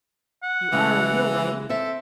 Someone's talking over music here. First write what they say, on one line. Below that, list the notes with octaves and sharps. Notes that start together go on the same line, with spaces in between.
"You are a wheelwright?"
F#5
C#3 E3 G#3
C4 A4 E5